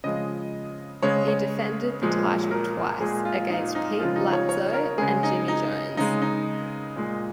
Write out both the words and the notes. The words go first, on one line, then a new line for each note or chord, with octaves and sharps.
He defended the title twice, against Pete Latzo and Jimmy Jones.
C#3 F3 G#3 D#5
C#3 G#3 C#5
C#5
A#2 F3 G#3
A#4
A#2 G#3 G#4
F4
D#4
D#4
C#3 F3 G#3 F4
D#4
C#5
C#5
A#4
C#3 G#3 G#4
D#4
D#4
C#3 G#3 D#4
D#4
A#2 G#3